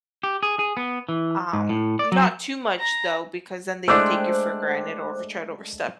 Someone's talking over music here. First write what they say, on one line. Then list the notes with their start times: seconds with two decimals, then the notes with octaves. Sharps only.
um, not too much though, because then they take you for granted or v try to overstep,
0.23 G4
0.43 G#4
0.59 G#4
0.77 B3
1.09 E3
1.53 G#2
1.69 A2
1.99 D5
2.12 F#3
2.79 A#5
3.88 G#3 A3 D4 C5 G5 D6 E6 F#6